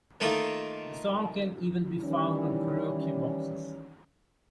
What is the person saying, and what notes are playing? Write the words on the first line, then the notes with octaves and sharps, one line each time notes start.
The song can even be found on karaoke boxes.
D#3 A3 A#3 D#4 F4
D#3 E3 G3 C#4